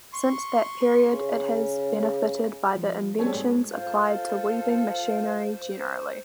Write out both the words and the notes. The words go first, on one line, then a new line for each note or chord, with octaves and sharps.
Since that period, it has benefited by the inventions applied to weaving machinery generally.
C6 C#6
C#3
F3
G3 A3 C4 G#4 A4 C#5
G#2
F4 A4 C5